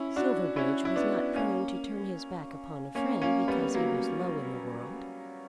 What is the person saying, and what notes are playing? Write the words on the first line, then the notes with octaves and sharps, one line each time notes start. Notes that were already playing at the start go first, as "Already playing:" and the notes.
Silverbridge was not prone to turn his back upon a friend because he was low in the world.
Already playing: C#4 E4
D4 F#4
C#4 E4
E4
B3 D4
A#3 C#4
A#3 C#4
A#3 C#4
G3 B3
F#3 A#3